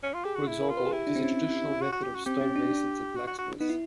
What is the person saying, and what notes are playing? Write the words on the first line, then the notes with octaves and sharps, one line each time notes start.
For example, it is a traditional method for stonemasons and blacksmiths.
C#4
F4
G4 G#4
F#4
E4
A#4
F4
B4
G#4
E4 G4
D4
C4
C#4
F#4
F#4
G4
F#4
C4 G4
C#4
D4
D4
F#4
F#4
F#4
B3 D#4
E4